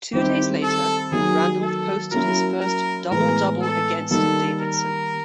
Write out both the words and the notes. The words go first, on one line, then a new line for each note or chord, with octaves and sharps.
Two days later, Randolph posted his first double-double against Davidson.
D#3 G3 C4 E4 G4
A4
D#3 F#3 A#3 G#4
A4
F#3 A#3 C#4 E4 A#4
A#4
A2 E3 G#3 B3 A#4
A4
D#3 G3 A#3 A4
A#4